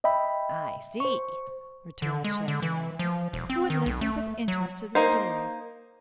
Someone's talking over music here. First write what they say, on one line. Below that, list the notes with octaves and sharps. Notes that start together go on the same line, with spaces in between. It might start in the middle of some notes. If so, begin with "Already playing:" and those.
"I see," returned the Shaggy Man, who had listened with interest to the story.
D#5 E5 G5 B5
C5 C#6
D3
G#3
D3
E3
F3
E1
C4
D#3
B1
A3
F#3
A#3 D#4 C5